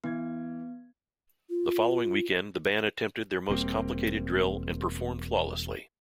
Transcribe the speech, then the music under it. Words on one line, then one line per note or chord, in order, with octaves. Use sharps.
The following weekend the band attempted their most complicated drill and performed flawlessly.
E3 B3 G#6
F4
E1 G3 A#3 C4